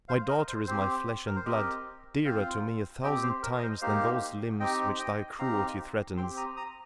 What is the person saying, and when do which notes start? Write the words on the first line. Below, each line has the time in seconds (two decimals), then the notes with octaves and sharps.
My daughter is my flesh and blood, dearer to me a thousand times than those limbs which thy cruelty threatens.
0.08 C5 F5
0.28 A#4 D#5
0.48 C5
0.67 C4 G4 C5
1.27 A#4
1.36 C5
1.46 C4 G4 A#4 D#5
2.25 C4 F4 C5 F5
3.03 C4 G4 D#5 G5
3.23 C5
3.43 A#4
3.58 D#5
3.62 C5
3.82 A#3 D#4 G4 C5 F5
4.60 C4 D#4 G4 D#5 G5
4.99 D#5 G5
5.39 C4 D#4 G4 F5 A#5
6.17 C4 G5 C6
6.22 G4
6.37 A#5 D#6
6.56 A#5 D#6